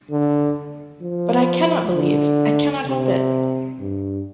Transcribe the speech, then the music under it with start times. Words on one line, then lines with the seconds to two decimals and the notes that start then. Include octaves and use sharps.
But I cannot believe! I cannot help it!
0.11 D3
1.02 F3
1.95 D3
2.88 C3
3.80 G2